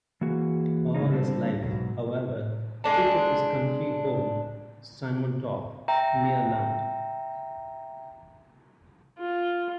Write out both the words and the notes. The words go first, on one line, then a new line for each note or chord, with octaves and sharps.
All his life, however, he kept his country home Simontorp, near Lund.
E3 A#3 F#4 G#4
A2 C#3 G#3 A#3 D#4
D3 G3 C4 A4 A#4 C5
G#2 B2 F#3
G#3 D4 A5
E5 G5 A#5
F4